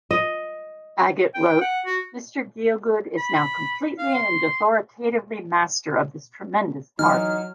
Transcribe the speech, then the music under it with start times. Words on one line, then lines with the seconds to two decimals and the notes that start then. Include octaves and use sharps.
Agate wrote, Mr Gielgud is now completely and authoritatively master of this tremendous part...
0.11 D#5
1.34 G5
1.61 F#5
1.86 F#4
3.18 B5
3.98 F5
4.14 C6
6.99 E3 F#3 D#4 F6